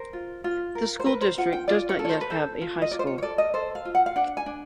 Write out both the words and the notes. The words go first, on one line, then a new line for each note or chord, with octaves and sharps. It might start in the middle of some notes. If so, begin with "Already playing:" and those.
The school district does not yet have a high school.
Already playing: A#4 C5
F4
F4
A#4
C5
A#4 B4
C5
F4 F#5
G5
F4 D5
C#5
A4
C#5
C5
B4
A4 C5
F4
D#5
F4 D5
C5
C#5
C#5
A4 D5
D#5
A4 C5
F5
F4
F#5
F5
D4 F#5
G#5
D4